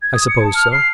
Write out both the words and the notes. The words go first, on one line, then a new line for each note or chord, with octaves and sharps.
"I suppose so."
G#6
D#6
C#7
A5
F6
C7